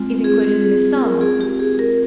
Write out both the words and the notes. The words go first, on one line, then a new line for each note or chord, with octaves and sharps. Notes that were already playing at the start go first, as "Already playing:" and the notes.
"Is included in this sum."
Already playing: G#3 C4 F4
G#4
A#4
G#4
G4
G#4
A#4